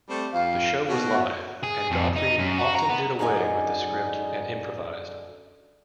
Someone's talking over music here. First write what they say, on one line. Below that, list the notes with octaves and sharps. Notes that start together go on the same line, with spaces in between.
The show was live, and Godfrey often did away with the script and improvised.
G3 A3 C4
F2 F5
D#2 B2 F#4
G#4
F2
D#4
F#2
F#4
A#5
B3
F#2 D3 D#4 G#4 D#5 G#5